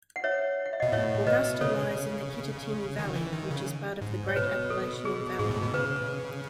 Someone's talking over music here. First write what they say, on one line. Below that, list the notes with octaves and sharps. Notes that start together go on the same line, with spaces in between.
Augusta lies in the Kittatinny Valley which is part of the Great Appalachian Valley.
F#5
C#5 E5
F#5
E5
B2 D#5 F#5
A2 C#5 E5
B2 B4 D#5
C#3 A4 C#5
D#3
E3
D#3
C#3
G#2
C#5
B2 B4
A4
G#4
G#2 G#4
A2
B2
C#3 B4